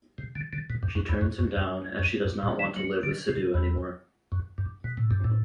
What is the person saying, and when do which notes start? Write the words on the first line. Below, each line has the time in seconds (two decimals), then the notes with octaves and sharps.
She turns him down as she does not want to live with Siddhu anymore.
0.18 C3
0.35 D3
0.53 D3
0.70 B2
0.83 G2
0.95 F#2
1.09 E2
1.21 F#2
1.39 F#2
1.56 F#2
1.99 F#2
2.25 G2
2.43 A2
2.59 E3
2.76 F#3
3.03 D3
3.29 C3
3.54 E2
4.32 F#2
4.58 G2
4.84 B2
4.97 A2
5.11 G2
5.24 A2